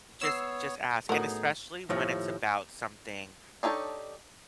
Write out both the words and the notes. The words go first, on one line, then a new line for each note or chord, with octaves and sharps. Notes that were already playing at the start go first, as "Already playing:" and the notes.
just just ask. And especially when it's about something
B3 C#5 E6 C7
A2 B3 D#4 F#4 G#4 A#4
D#2 A2 F3
D4 D#4 G4 A4 C#5